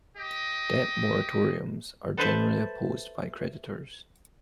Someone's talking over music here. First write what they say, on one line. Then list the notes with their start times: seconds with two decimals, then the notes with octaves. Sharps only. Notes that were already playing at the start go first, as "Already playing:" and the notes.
Debt moratoriums are generally opposed by creditors.
0.18 G4 D#5
2.17 A4 B4 C5 E5 A5